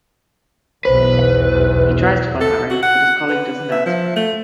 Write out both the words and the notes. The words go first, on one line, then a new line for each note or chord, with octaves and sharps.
He tries to call Harry, but his colleague doesn't answer.
B1 E2 B4 C5
A4
F#4
F#5
B4
E5
F3
A3